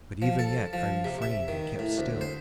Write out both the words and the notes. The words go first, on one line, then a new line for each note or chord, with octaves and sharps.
But even yet I refrained and kept still.
F3
A4
F3
C3
E5
D#3
A2
D2
C5